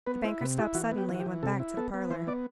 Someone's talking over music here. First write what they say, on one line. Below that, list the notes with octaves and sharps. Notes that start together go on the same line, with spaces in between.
The banker stopped suddenly, and went back to the parlour.
B3 B4
E4 C5
C3 B4
E4 G4
E3 F#4
B3
G4
E3
F#4
G4
E3
C3 A4
E4
B3 A4
B3
E3 C5
B3 D5